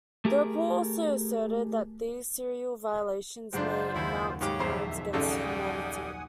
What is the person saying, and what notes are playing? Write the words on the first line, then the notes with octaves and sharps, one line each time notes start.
The report also asserted that these serial violations may amount to crimes against humanity.
A3 G4 G#4 A#4
F#1 G#3 D4 F4 C5 F#5 D7
D#2 E4
G#2 C#3 G4 D6
A#1 E2 B2 C5 E5
G#1 C#3 G3 A4 F#5 G#5 D#6